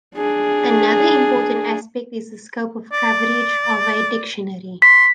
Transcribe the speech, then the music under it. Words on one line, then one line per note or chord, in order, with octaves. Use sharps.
Another important aspect is the scope of coverage of a dictionary.
D4 G#4
D5
C6 B6